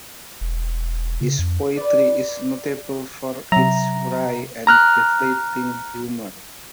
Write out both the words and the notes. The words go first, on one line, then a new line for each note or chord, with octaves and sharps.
His poetry is notable for its wry and deflating humor.
E1
C#3
F2
B4 D5
C3 F#3 E5 A#5
A#5 F6 F#6